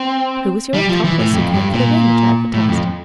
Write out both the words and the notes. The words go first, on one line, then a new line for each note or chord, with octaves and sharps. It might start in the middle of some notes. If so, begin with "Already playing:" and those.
"Who was your accomplice who came for the ring which I advertised?"
Already playing: C4
G3
F3
E3
A2
F2
G2
A#2
A2
F2